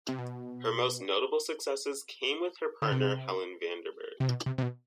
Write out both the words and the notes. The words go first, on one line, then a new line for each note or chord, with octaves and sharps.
Her most notable successes came with her partner Helen Vanderburg.
C3
B2
D3
C3
C3
B2
C3
C3
B2